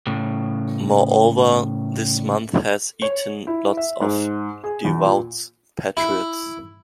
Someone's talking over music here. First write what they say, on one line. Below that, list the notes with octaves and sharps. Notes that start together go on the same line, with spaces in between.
Moreover, this month has "eaten" lots of devout patriots.
A2 C#3
C#5
E4
E5
G#2
G#4
E2
A#2
E4